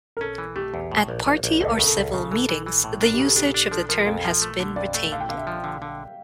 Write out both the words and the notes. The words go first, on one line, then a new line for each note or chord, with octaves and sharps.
At party or civil meetings, the usage of the term has been retained.
A#4
C#4 A4
E3
A3 G4
E2
A2
A#1
A#1
A#1
C#2 A4
A#4
C#3
A4
C#2
C#3
E3 A4
E3
E3
A2
D4 A#4
G4
C#3
A4
D4 G4
D4
F3 A4
F3 A#4
F2 A4
F3
A3
D3
F2 D5
A3
D3 F5
G5
D3 F5
E5
F3
D3
D3